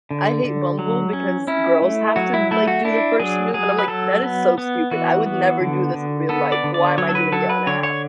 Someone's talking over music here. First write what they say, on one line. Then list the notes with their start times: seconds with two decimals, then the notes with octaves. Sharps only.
I hate Bumble because girls have to, like, do the first move, and, I'm like, "That is so stupid. I would never do this in real life. Why am I doing it on a app?"
0.11 D3
0.44 D3
0.79 F#3
1.13 C#4
1.47 C#4 E4
1.82 A3
2.16 F#3 F#4
2.34 E4
2.51 A3 E4
2.68 F#4
2.85 D4 E4
3.19 F#3 G#4
3.54 F#3 G#4
3.79 B4
3.88 F#3 A4
4.23 B3
4.58 B3
4.91 E3 F#4
5.26 B3
5.60 D3
5.94 D3
6.29 B3 A4
6.52 D5
6.64 D3
6.74 D5
6.98 F#3 C#5
7.09 A4
7.15 B4
7.32 F#3 A4
7.49 B4
7.67 D3 C#5
7.83 C#5